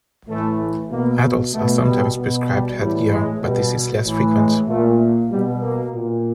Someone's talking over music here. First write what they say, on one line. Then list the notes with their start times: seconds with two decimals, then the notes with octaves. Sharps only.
Adults are sometimes prescribed headgear but this is less frequent.
0.28 A2 E3 A3
0.91 B2 A#3
1.53 B2 A3
1.85 G3
2.16 B2
2.48 G3
2.79 A2 E3 G3
3.11 G#3
3.42 B2 G3
4.05 A2 E3
4.36 G#3
4.67 A#2 A3
5.30 B2 G3
5.61 A#3
5.94 A#2